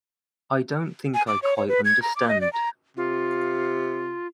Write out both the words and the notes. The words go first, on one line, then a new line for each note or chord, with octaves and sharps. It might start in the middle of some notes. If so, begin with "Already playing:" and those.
I don't think I quite understand.
G#5
D6
C#5
C#5
B4
G#6
A#5
D6
D#5
D5
A#5
C3 F4